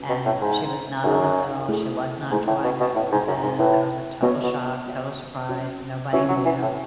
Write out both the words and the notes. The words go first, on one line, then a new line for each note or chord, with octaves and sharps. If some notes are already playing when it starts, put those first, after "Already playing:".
And she was not on the bill, she was not touring with him, it was a total shock, total surprise, nobody knew.
Already playing: C#4 F#4 B4
B2
A2
G#2 D#4 G#4 C#5 E5
F#2 D#4 G#4 C#5 E5
A3 E4 G#4
G#2 A3 E4 G#4
A2
B2
B2
A2 E4 B4 E5
G#2
F#2
G#2
A2 E4 B4 E5
B2 B3 F#4 C#5 E5
B2
B3 F#4 C#5 E5
C#4 F#4 C#5 E5
E3 C#4 F#4 C#5 E5
F#3
E3
A2